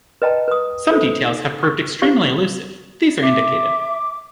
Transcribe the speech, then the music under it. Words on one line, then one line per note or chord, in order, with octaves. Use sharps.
Some details have proved extremely elusive, these are indicated.
B4 D#5 G5 A5 A#5
B4 D#6
D#4 A4 C5
C#6
E4 G4 C5 F5
E5 D6